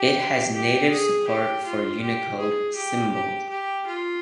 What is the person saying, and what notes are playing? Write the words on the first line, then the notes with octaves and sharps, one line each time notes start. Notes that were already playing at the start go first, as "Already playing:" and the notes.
It has native support for Unicode symbols.
Already playing: G4
G4
G#4
G4
F4
G4
G#4
G4
G4
G4
F4